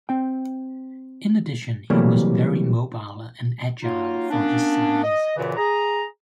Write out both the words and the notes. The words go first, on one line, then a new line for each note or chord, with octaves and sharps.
In addition, he was very mobile and agile for his size.
C4 G5
C3 E3 F#3 G3 A3 A#3
F#3 A#3 D#4 F4
A#3 B3 C#4 D4
D#5
F#2 A#2 C#3 E3
G#4 A#5